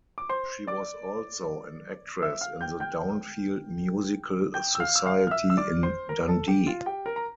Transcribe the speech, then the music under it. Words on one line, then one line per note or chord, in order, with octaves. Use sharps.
She was also an actress in the Downfield Musical Society in Dundee.
D6
C5 C6
D5 D6
E5 E6
F5 F6
G5 G6
G5 G6
G5 G6
E6
F5 F6
E6
F5 F6
F6
E5 E6
E6
D5 D6
C5 C6
A#4 A#5
A4 A5
G4 G5
F4 F5
G4 G5
A#4 A#5
A#5